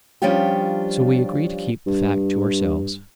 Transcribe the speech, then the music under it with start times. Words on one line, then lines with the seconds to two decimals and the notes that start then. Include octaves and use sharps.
So we agree to keep the fact to ourselves.
0.22 F3 G3 C#4 D4 F4 G4
1.87 G2